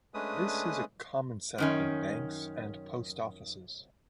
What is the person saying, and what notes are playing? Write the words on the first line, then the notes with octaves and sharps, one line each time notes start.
This is a common setup in banks and post offices.
G#3 A3 C#4 D4 B4 D#6
F#2 D#3 C#4